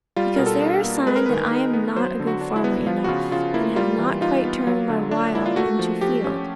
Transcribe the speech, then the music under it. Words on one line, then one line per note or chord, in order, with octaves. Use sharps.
Because they are a sign that I am not a good farmer enough, and have not quite turned my Wild into Field.
G3 F4
B2 A#4
A4
D4
A#3
G#3 B4
A#4
D#3 B4
D#4
B3
F#3 C5
D3
F#4
D4
E4
B3
F3 F4
F#4
C#3 F4
C#3 F4
A#3 E4
G3 F4
E3
D#4 F4
B3
F#3
D3
D4
A#3 E4
F4
A3 F#4
F3
F3 G4
C#4